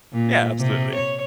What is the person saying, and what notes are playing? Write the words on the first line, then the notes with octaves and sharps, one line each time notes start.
Yeah, absolutely.
A#2
C3
C#5